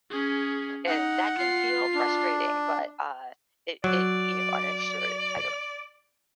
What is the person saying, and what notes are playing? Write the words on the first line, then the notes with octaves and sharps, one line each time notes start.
and that can feel frustrating, but, uh, it it you know, and I'm sure I don't
C#4 G#4
D#4 F#5
F4 C7
D4
F#3 D5